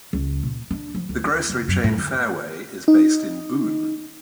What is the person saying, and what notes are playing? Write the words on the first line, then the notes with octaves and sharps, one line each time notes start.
The grocery chain Fareway is based in Boone.
C#2
A#2
D4
F3
D2
D#2
F#1
F#2
A2
D3
D#4